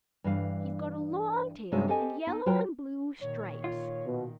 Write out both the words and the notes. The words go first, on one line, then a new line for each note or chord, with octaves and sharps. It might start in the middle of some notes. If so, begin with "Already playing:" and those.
He's got a long tail and yellow and blue stripes.
G2 E3 F5
G2 C3 G#3 C#4 F#4 E5
C4 G4 A4 C5 D#5 G#5
B3 D#4
F#3 F4 F#4 B4 C5 G5
A#2 D#3 C#5
F4
B2